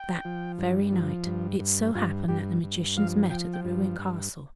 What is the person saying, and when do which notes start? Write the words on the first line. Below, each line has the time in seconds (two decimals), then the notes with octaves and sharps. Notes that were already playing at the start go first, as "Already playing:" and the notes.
That very night it so happened that the magicians met at the ruined castle.
Already playing: G5
0.25 F3
0.58 G2
0.92 F3
1.26 G2
1.60 G2
1.95 G2 F4
2.28 G2 G4
2.63 G2
2.97 F3 F5
3.30 F3 G5
3.54 G5
3.65 G2
3.99 G2